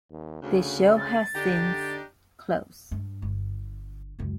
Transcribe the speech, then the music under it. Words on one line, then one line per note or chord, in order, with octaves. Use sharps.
The show has since closed.
D#2
D2 C#3
A6
D3 D4 D#4 G4
G2
G1
F#1 C#2